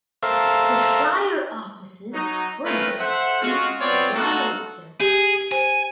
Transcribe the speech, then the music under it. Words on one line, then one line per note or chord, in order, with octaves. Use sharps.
The shire offices were based in Rylstone.
A4 A#4 C5 E5 F5
F#3 D#4
A3 C4 C#4 F4 A#4 B4
A4 C5 E5 F#5
G#3 F4 F#4
B3 C4 F4 C#5 D5
A3 D#4 F4 F#4 A4
G4 G#4
C5 G#5